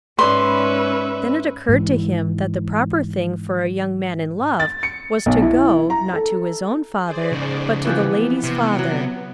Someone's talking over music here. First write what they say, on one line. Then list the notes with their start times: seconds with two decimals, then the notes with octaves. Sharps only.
Then it occurred to him that the proper thing for a young man in love was to go, not to his own father, but to the lady's father.
0.19 G#2 C#4 B4 D5 E5 B5 C6
1.69 G#2 E3
4.60 A6
4.83 C#7
5.26 B1
5.42 E4
5.90 A#5
6.13 A4
7.03 G#4 C5 D5
7.32 C#3 D#4
7.85 E3 F3 B3 G4
8.43 C3
8.79 F#3